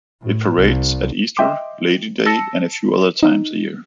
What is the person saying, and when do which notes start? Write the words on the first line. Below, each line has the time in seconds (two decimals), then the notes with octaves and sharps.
It parades at Easter, Lady Day and a few other times a year.
0.22 A2
0.56 C2
1.37 D#5 E5 G5 C6 D6
2.26 A5 E6 A#6 C#7
3.23 D#4